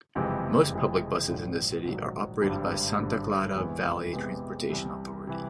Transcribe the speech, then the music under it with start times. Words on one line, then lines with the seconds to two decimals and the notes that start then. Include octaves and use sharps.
Most public buses in the city are operated by Santa Clara Valley Transportation Authority.
0.15 F#1 F2 C3 E3 G#3
0.72 F#1 F2 C3 E3 G#3
1.28 A#1 G#2 D#3 F#3
1.85 A#1 G#2 D#3 F#3
2.42 G#1 G2 D3 G3
2.99 G#1 G2 D3 G3
3.55 E2 C3 E3 G#3 B3
4.12 E2 C3 E3 G#3 B3
4.69 C2 C3 E3
5.27 C3 E3